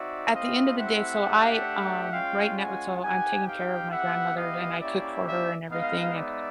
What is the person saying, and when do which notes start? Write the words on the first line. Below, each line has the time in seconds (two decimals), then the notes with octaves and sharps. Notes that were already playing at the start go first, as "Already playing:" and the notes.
at the end of the day, so I um, right now so, I'm taking care of my grandmother, and I cook for her and everything, and
Already playing: C4 D#4 F#4 D5 E5
0.33 A3 C4 E4 G4 D#5 F5
0.78 E5 F#5
1.23 A3 D4 G4
2.12 G#3 C#4 F4 F5 G5
2.56 F#5 G#5
3.01 C4 D#4 G4 F#5 G#5
3.47 F5 G5
3.91 B3 E4 G4 E5 F#5
4.36 D#5 F5
4.80 A#3 C#4 E4 G4 D5 E5
5.26 D5 E5
5.70 G#3 B3 D#4 D#5 F5
6.14 D5 E5